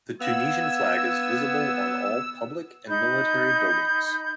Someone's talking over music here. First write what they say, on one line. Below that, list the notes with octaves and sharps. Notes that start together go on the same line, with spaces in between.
The Tunisian flag is visible on all public and military buildings.
B3 F5 F#5 E6 G#6
D#4 B5 G6